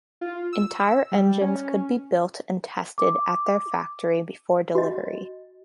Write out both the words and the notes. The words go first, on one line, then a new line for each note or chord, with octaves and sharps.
Entire engines could be built and tested at their factory before delivery.
F4
E6
G3
C#4
D6
F#4 D#5